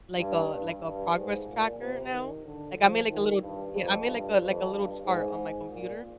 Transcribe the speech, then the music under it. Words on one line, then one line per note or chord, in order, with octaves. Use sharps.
like a like a progress tracker now. Like, I made, like, a little Yeah, I made, like a like a little chart on my computer.
G2
G2
G2
G#2
A#2
C3
D#3
D3
F3
D#3
G2
F2
G2
F2
G2
G#2
G#2
A#2